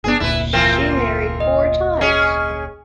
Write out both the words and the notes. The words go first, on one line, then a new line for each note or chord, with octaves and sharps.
She married four times.
F#1 C3 B3 D4 G#4
F1 D2 A#2 E4 B4
E3 C4 F4 A#4
D#5
C#4 G#4